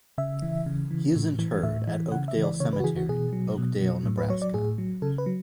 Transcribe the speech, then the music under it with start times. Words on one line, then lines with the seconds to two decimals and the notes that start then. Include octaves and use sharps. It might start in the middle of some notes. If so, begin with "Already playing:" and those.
He is interred at Oakdale Cemetery, Oakdale, Nebraska.
0.18 C#3 E5
0.42 E3
0.66 C#3
0.91 E3
1.15 A2
1.39 E3
1.63 A2 E5
1.87 E3
2.12 C#3 F#5
2.28 E5
2.36 E3
2.44 D5
2.60 C#3 C#5
2.73 B4
2.80 F#4
2.84 E3 G#4
2.97 F#4
3.09 B2 G#4
3.33 F#3
3.58 B2
3.81 F#3
4.05 A2
4.18 B4
4.30 F#3 C#5
4.42 D5
4.54 A2 G#4
4.78 F#3
5.02 C#3 A4
5.18 B4
5.26 F#3